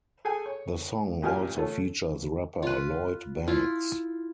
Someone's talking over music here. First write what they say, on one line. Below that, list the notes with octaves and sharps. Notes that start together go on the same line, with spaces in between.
The song also features rapper Lloyd Banks.
G#4 A4 G5 G#5
C#5
A1 A#2 G4 A#4 G#5 F6
A3 C#4 F4 A4
F4 B4
E4 F4